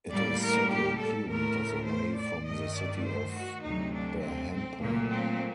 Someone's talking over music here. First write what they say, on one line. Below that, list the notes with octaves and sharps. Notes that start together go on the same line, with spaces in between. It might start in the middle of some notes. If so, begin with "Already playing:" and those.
It is several kilometers away from the city of Berhampur.
A2 G3 A#3 D5
A#4
G4
A4
A2 A3 A#4
C5
D5
G2 D#3 A3 D#5
D5
C5
F#4
D2 C3 F#3 D#4
D4
C4
C4
A#2 F#3 A3 A#3
C4